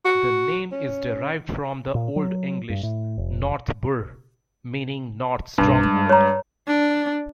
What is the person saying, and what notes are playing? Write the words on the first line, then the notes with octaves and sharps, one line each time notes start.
The name is derived from the Old English "north burh", meaning "north stronghold".
F#4
C#4
A#2
F#3
G2
A2
F1
B1 G2 A#3
G3 G#3
C#5 A#5
D4